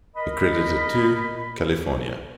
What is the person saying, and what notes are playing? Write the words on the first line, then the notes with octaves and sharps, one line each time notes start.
Accredited to: California.
A#4 D#5 B5